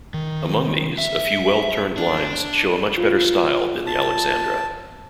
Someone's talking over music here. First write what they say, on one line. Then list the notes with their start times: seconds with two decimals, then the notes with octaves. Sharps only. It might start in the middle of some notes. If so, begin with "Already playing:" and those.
Among these, a few well-turned lines show a much better style than the "Alexandra".
0.14 D#3
0.98 E5
1.97 D4
2.98 F4
3.87 A5